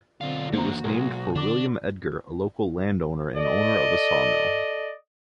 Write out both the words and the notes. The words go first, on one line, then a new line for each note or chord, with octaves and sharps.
It was named for William Edgar, a local landowner and owner of a sawmill.
B1 D3 C4 F4
E2 D3 A#3 F#4 C5 A#5
B1 G#3 A#4
D3 D4 D5 D6
A4 D5 D#5